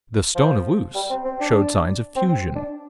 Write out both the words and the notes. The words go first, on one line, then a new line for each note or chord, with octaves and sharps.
The stone of Luce showed signs of fusion.
F3
G3
C4
C4
D4
C4
D4